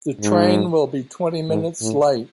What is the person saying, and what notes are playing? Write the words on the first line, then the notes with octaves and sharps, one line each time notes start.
The train will be twenty minutes late.
G#2
G#2
A2